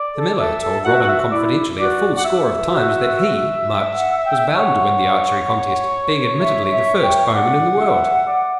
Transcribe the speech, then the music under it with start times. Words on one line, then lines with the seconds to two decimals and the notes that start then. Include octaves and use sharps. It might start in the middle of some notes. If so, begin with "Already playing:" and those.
The miller told Robin confidentially a full score of times that he, Much, was bound to win the archery contest, being admittedly the first bowman in the world.
Already playing: D5
0.16 A4
0.39 A4 E5
0.62 A4
0.85 F#4 F#5
0.93 E5
1.01 F#5
1.08 E5
1.31 E4 D5
1.78 F#4 D5
2.17 F#5
2.25 E5
2.70 F#4
3.94 F#5
4.25 G5
4.55 C#5 F#5
6.41 E5
6.72 E5
7.03 G5
7.34 D5 F#5
7.81 E5
8.27 D5